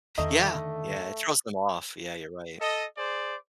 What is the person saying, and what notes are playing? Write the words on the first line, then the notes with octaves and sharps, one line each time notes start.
Yeah, yeah. It throws them off. Yeah, you're right.
E2 D3 D#3 A3 D#5 A#5
A4 D#5
G#4 C5 D5